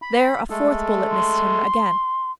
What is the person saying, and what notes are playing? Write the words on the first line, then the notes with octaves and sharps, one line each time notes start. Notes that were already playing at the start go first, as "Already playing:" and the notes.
There a fourth bullet missed him, again.
B5
G#3 A3 A4
C6